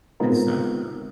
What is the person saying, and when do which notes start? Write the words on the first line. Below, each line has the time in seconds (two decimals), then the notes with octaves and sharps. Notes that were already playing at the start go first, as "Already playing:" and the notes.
and stuff, so
0.20 G#3 B3 C4 D#4 F4 A#4